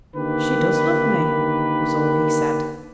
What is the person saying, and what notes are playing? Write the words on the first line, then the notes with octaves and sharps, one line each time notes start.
"She does love me," was all he said.
D3 D#3 A#3 D#4 G4 B4